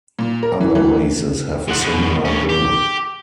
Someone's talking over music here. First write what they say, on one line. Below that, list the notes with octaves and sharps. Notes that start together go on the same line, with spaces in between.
Other races have a similar goal.
A#2
A#4
E3
E3
G#3 F#5
G#2 B2
G2 C#4
G4